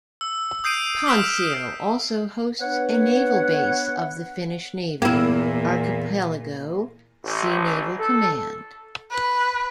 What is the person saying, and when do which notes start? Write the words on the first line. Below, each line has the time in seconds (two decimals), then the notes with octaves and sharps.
Pansio also hosts a naval base of the Finnish Navy, Archipelago Sea Naval Command.
0.21 E6
0.64 D#6 G6 C7 D7 D#7
1.06 E6 F6 B6 D7 E7
2.60 B3 D4 B4 C#5 F#5
5.02 E2 A#2 A#3 B3 E4
7.23 A1
7.98 A4
9.10 B4